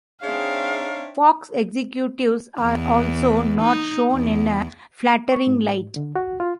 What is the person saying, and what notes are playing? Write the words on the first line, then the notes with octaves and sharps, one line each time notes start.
Fox executives are also not shown in a flattering light.
C4 D4 D#4 G#4 C#5 E5 F5
E2
D#4
E2
C#6
G#2
D3
F#4
F4